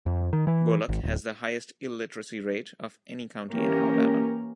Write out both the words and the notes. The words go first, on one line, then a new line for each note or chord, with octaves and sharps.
Bullock has the highest illiteracy rate of any county in Alabama.
F2
D#3
E3
G#1
D1
E3 A#3 C#4 G4 A#4